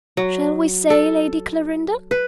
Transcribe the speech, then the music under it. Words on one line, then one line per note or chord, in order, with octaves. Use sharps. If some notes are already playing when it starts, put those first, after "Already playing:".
Shall we say Lady Clarinda?
F#3
A4
B4